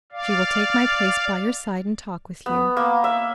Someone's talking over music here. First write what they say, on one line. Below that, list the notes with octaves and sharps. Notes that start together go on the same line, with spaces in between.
"She will take my place by your side and talk with you."
D5 F5
B3
A#3
E5